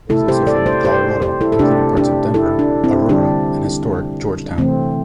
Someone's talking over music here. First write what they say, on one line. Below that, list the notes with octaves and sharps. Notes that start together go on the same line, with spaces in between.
It was also filmed in Colorado, including parts of Denver, Aurora and historic Georgetown.
C3 A3 E4 A4
G4 C5
A4 D5
G4 C5
G4 C5
G4 C5
E4 A4
A4
C3 A3 D4 G4
D4 G4
E4 A4
D4
C4 E4
D3 G3 D4 G4
C3 E3 A3 C4